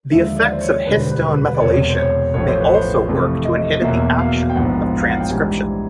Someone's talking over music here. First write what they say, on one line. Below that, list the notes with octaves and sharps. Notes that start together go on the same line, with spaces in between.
The effects of histone methylation may also work to inhibit the action of transcription.
D#2 D3 F3 G#3 E5
D5
C5
C#5
E1 D2 D3 G3 B4
C5
B4
B4
D5
E1 E2 C3 C#5
C5
C#5
A1 A2 F3 A3 C#5
C5
B4
C5
F2 C3 E3 A3
D#5
E2 B2 F#3 A#3 E5
F5
G5
A#1 G#2 F3 G#3 B3 F#5
F5
F#5
G5
A#1 G#2 E3 G3 G#5